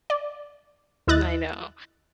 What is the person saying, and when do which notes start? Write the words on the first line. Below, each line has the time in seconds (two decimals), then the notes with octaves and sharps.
I know.
0.10 D5
1.07 D#2 E4 D#5 F#6 A6